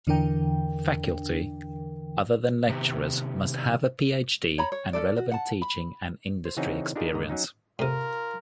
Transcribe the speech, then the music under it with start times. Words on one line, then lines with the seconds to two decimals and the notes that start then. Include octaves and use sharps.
Faculty other than lecturers must have a Ph.D. and relevant teaching and industry experience.
0.07 E2 D3 E3 D4 A#4 G5
2.68 C3 D#3 B3 G4 A#5
4.58 C#5 A#5 B5
4.72 C#5
4.93 C#4 D4 A4 D5
5.17 F#4
5.31 F#5 A5
5.62 B5
6.45 C5
6.57 C#3 E3 C4 C#4 D#4 F#4
6.96 D4 D#4 F4 G4 G#4 A#4
7.13 G#2 D3 D#5 A#5
7.29 F#3 C#4 D#4
7.79 A2 C3 F4 A#4